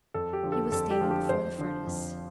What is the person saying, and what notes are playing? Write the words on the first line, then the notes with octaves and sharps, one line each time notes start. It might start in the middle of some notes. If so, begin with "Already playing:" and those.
He was standing before the furnace.
F2 A4
G4
D3 F3
A4
F2 A4
G4
D3 F3
G4
F2 C5
D3 F3
F2